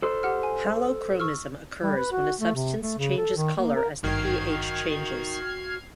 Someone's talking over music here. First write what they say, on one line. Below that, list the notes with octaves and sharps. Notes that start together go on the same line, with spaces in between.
Halochromism occurs when a substance changes color as the pH changes.
A4 C5
G4 F#5 F6
G#5
C#6 E6 F6
G3
B4
F#4
A3
C3
A3
C#3
A4
D#3
A#3
A#4
G#1 G2 D#3 F#4 G5 F6 G#6 C7